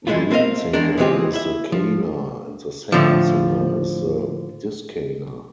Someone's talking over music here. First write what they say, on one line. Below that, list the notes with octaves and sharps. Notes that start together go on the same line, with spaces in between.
The lead singer is the "kaner", and the second singer is the "diskaner".
E3 F3 G#3 A3 E4 F4
A3 C4 A#4 D#5 F5
E2 D#3 G#3 A#3 D4 A#4
E3 F3 G#3 C4 G4 G#4
E4 E5
F3
A2 D3 F3